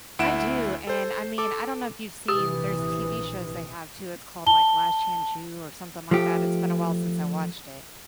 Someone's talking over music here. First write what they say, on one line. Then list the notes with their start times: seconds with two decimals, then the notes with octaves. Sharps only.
I do, and I mean, I don't know if you've seen, there's TV shows they have too, it's called, like, Last Chance U, or something like that, it's been a while since I watched it.
0.19 D2 E4 F#5 D7 E7
0.87 A4 C5
1.38 A4 D6
2.28 A#1 C3 E3 G4 D#6
4.46 A5 G7
6.11 F3 A3 G4